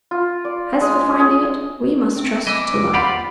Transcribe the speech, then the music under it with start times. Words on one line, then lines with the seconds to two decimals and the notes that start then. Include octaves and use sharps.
"As for finding it, we must trust to luck."
0.11 F4
0.45 D5
0.81 G#3
1.20 G#4
2.17 C4
2.47 E3 G3 E4 D#5 D6
2.93 D#2 F4 G4 D5 F#5 B5 C6